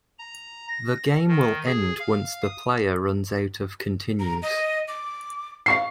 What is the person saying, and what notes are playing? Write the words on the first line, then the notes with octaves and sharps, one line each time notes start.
The game will end once the player runs out of continues.
A#5
A#6
D#3
G#4
F5
D#6
A#5
D#5
D6
F5 C#6 C7